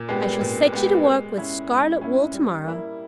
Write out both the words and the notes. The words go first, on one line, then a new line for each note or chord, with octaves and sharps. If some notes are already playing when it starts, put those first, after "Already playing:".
I shall set you to work with scarlet wool to-morrow.
Already playing: A#2
G#3 B3 G4
A#2
G#3 B3 G4
G#3
C#4 E4
G#3
C#4 E4
G3
A#3 E4